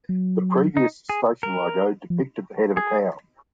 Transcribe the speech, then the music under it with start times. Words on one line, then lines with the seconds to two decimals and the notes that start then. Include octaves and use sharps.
The previous station logo depicted the head of a cow.
0.09 F#3
0.77 D#4
1.09 G#4
1.43 A#4
2.10 F3
2.77 G#4